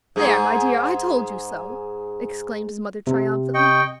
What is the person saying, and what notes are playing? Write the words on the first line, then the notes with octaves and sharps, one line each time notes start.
"There, my dear, I told you so," exclaimed his mother, triumphantly.
G#2 G#4
C3
D#5 G5 C#6